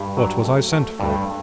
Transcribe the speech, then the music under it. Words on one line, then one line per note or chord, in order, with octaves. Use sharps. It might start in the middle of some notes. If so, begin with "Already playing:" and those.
"What was I sent for?"
Already playing: G2 G4
F#3
A3
A3
G2